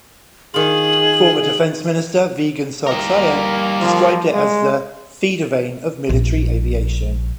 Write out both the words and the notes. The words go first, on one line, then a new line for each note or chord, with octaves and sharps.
Former defense minister Vigen Sargsyan described it as the "Feeder vein of military aviation".
D#3 F4 G#4 F#7
G3 A#3 G4 A#4
F3
G#3
A#1